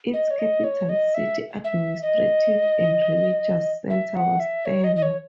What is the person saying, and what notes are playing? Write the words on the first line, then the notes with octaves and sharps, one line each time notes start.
Its capital city, administrative and religious center was Thermo.
D#5
C#5
D#5
C#5
D#5
E5
E5
D#5
E5
F#5
E5
C#5
D#5
D#5
C#5